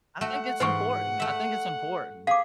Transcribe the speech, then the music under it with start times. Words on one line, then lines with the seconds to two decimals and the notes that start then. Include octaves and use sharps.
I think it's important, I think it's important.
0.21 A3 F#4 F#5
0.60 G#2 E3 F4 C5 G#5 C#6
1.20 A3 E5
2.27 G#4 F5 D6